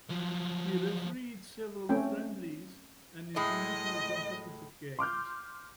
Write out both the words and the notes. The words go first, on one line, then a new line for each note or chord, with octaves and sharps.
He refereed several friendlies and international competitive games.
F3 F#3
A3 C4 C#4 G5
A2 G#3 D#5
C6 D6 F6 G6